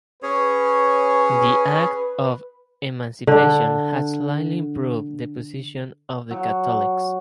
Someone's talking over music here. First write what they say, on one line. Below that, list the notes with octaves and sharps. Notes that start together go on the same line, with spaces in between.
The Act of Emancipation had slightly improved the position of the Catholics.
C#4 G#4 B4 C#5
D3 D4
F#3